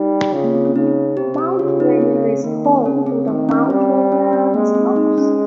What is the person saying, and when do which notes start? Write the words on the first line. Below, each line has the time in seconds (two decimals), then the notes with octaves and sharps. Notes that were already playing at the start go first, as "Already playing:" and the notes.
Mount Rainier is home to the Mount Rainier Artists' Lofts.
Already playing: G3 D#4
0.33 C#3 F4
0.44 A#3
0.54 C4
0.65 C#4
0.75 C#3 D#4
1.17 C3 G4
1.38 G4
1.59 C#3 F4
1.80 D#4
2.02 C4
2.44 D#3 A#3
2.64 C4
2.85 C#3 C#4
3.06 C4
3.28 D#3 C4
3.49 C#4
3.70 G3 C4
4.12 C#4
4.33 C4
4.54 G#3 A#3
4.75 C4
4.96 D#4
5.18 C#4